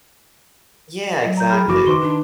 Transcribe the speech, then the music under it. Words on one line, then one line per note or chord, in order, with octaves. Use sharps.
Yeah. Exactly.
F#3 D#5
A#5 G6
G#4 B5 F6
F#1 E3 F#4 D6
D#3 B4 C6 D6 G7
D4